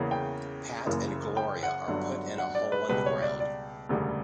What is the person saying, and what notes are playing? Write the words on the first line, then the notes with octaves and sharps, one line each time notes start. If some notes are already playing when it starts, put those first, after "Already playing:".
Pat and Gloria are put in a hole in the ground.
Already playing: E2 C#3 E3 A#3 C#4
G5
F#1 F#2 C#3 E3 A#3
G5
F#5
G1 G2 D3 F#3
F#5
D5
B4
C#2 B2 G3 B4
C#5
D5
D5
E1 D2 C#3 G3